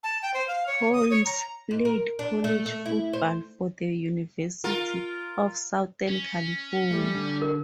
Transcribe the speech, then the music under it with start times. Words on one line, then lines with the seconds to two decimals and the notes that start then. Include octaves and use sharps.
Holmes played college football for the University of Southern California.
0.03 A5
0.22 G5
0.34 C5
0.48 F5
0.67 C#5
0.93 D#6
1.11 C#5
1.25 A#5
1.71 G#2
1.85 A#4
2.19 D4
2.44 A3
2.66 A3
2.86 E4
3.13 C5
4.64 F4 A#4
6.08 C#4
6.91 G3 A3
7.15 D3
7.42 A#4